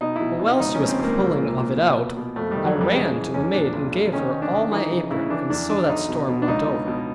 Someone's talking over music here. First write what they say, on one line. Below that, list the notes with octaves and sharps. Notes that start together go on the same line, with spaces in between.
But while she was pulling of it out I ran to the maid and gave her all my apron, and so that storm went over.
B2 D#4
E4
B2
B2
D#4
C#2 D#4
C#2 C#4
C4
C#2 A#3
C2
A#2
A#2
B2
B2
B2
F2 A3
D#3 G3
F#3
F2
G3
C#3 G#3
E3
E2 C#4
A#2 D4
B1
B1
D#3 C#4
D#3
D4
D#3
E3 D#4
C#3
C#3 E4
E3 D4
E2 D4
E2 D4
B1 D#4
B2
B2
D4
C#2 D#4
B2
B2